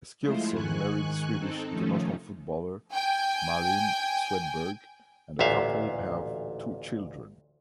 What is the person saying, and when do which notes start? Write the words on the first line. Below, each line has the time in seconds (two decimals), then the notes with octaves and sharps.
Eskilsson married Swedish international footballer Malin Swedberg, and the couple have two children.
0.21 F3 G#3 A3 E4 F4 C5
0.52 G#2 D#3 G#5 C#6 F#6
1.38 C4 D#4 A4
1.70 C3 D#3 F3 A3 C#4 D#4
2.93 G5 G#5
5.39 A1 D2 A#2 E5 F5